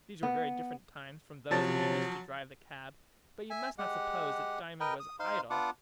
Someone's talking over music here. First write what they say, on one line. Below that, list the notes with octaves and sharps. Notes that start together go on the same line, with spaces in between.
These were very different times from those when he used to drive the cab, but you must not suppose that Diamond was idle.
B3
C3 F3 F#3 C#4 A5 A6
E5 G#5
G#3 G4 F#5
A#4 B4 D#5 G5
D#6
D#4 C5 F5 C6
B3 D4 F4 F#5 D6